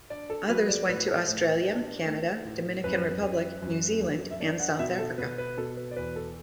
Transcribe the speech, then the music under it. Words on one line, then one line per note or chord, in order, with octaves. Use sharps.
Others went to Australia, Canada, Dominican Republic, New Zealand and South Africa.
D4 D5
A4
F#3 B4
D5
A2 B4
A4
A2
D4
A3
A2
F#2 B4
F#2
F#2
F#2
E5
D4 D5
F#5
B2 E5
A4
B2 B4
B4
B2 A4
B4
D5
E2 B4
A4